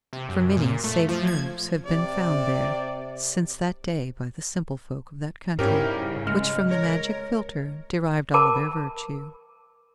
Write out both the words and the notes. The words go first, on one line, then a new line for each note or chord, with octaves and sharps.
For many saving herbs have been found there since that day by the simple folk of that country, which from the magic philtre derived all their virtue.
C3
F#2
A#2
A3
F3
G#6
C3 D5
G#2 F3 G3 C#4 E4 G4 A#4
C#3
G#3 F6
A#4 C#5
A#4 A5 B5 D6